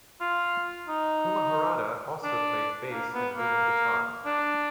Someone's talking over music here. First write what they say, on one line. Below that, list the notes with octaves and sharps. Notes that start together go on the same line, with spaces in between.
Kuma Harada also played bass and rhythm guitar.
F4
D#4
D4
A#3
B3
A#3
D4